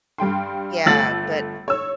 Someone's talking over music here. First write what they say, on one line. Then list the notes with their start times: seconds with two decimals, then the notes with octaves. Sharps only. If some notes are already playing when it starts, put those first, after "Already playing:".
Yeah, but
0.18 G2 G3 G5 C6
0.86 G1 A3 F4 E6 A6 F#7
1.68 C#5 E6